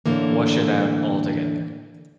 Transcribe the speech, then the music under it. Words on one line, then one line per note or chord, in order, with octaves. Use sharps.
Wash it out altogether.
A2 D3 E3 A#3